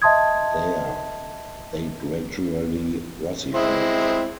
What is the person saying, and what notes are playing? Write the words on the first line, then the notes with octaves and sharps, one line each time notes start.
There they gradually russified.
D#5 E5 A5 C6 D#6 G#6
G#3 C4 E4